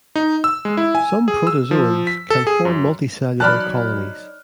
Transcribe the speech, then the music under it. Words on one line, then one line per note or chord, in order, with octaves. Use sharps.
Some protozoans can form multicellular colonies.
D#4
E6
G#3
E4
G#5
G#4
E6
F3
B6
A4
G#4
F#2
F#3 D#4 C#5 D5 A5 B5 F6 F#6